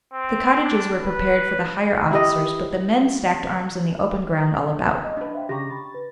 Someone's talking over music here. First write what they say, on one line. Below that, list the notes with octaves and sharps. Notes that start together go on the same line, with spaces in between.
The cottages were prepared for the higher officers, but the men stacked arms in the open ground all about.
C4
D4
B4
E4 G4 D#5
D#5
D4 B4
C5 E5 F5 G5
C#3 G4 A#5 C#6 A#6
B5 C#6 A6
B4